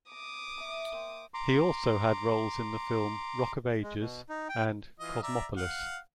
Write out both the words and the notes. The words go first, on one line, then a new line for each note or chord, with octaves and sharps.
He also had roles in the film "Rock of Ages" and "Cosmopolis".
A#5 D6 D#6
E5 A#5
A#3 C5 G5
A#5 C6 D6
G#3
B2
D#4
G5
E3 F4 D#5
D5 E5 A#5
F5 F#5